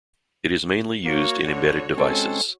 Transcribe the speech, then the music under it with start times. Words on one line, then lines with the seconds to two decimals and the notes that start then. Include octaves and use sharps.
It is mainly used in embedded devices.
1.04 A#3 F#4 C#5
1.45 D3
1.98 G#3 C4 C#4 A4